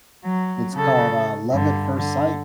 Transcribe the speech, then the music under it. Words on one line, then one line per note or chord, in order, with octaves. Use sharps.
It's called, uh, Love at First Sight
F#3
C#3 A4
G2 D3
D3